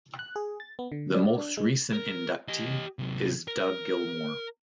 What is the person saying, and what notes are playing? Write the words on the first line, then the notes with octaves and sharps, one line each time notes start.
The most recent inductee is Doug Gilmour.
F#6
G#4
A6
B3
D3
D5
D4
G#3
A#4
G4 D#5
C3 F#3
A#4